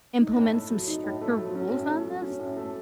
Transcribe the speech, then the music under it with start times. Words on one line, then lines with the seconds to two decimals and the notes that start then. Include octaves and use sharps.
implement some stricter rules on this?
0.20 D#4
0.37 A2
0.53 A3
0.70 F#3
0.87 D#4
1.04 A2
1.22 A3
1.38 F#3
1.55 C#4
1.71 A2
1.89 A3
2.05 F#3
2.22 C#4
2.39 A2
2.57 A3